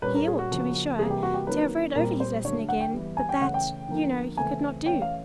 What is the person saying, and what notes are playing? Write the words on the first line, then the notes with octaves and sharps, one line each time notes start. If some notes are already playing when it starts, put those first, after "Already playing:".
He ought, to be sure, to have read over his lesson again, but that, you know, he could not do.
A#2 G3 A#3 C#4 B4
A#4
G#4
F#4
C#3 F3 A#3
C3 E3 G3 A#3 G#4
G4
F#4
G4
D#3 F#3 A#3 C#4 B4
A#2 G3 C4 A#4
C5
D3 F#3 A3 C#5
F#5
G5
E3 G3 B3
G#5
G5
C#3 E3 A3 C#4 F#5
G5
D3 F3 A#3
C#3 E3 A3 C4 G#5
E3 A3 C#4 G5
F5